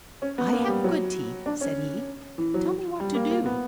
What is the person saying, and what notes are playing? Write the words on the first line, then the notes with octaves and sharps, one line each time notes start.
"I have good teeth," said he, "Tell me what to do."
C#4
B3
A#3
G3
F#3
D4
C#4
E3
F#3
G3
A#3
A#3
B3